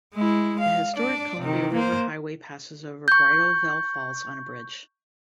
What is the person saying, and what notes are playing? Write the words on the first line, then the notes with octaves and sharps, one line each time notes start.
The Historic Columbia River Highway passes over Bridal Veil Falls on a bridge.
G#3 E4
F5
D4 D5
C3 D#3
A#3 C5
C#6 G6